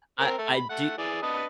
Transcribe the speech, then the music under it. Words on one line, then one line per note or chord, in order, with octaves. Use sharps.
I I do
C4 A#4
A3
B5
A3 F#5
E3 G#4 D5
D4 B4 D#5